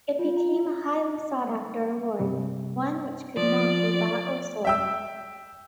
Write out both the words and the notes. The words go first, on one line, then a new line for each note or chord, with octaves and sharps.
It became a highly sought-after award, one which could not be bought or sold.
F4
A#5
G2 C3 G3
F3 D5
E5 G5 E6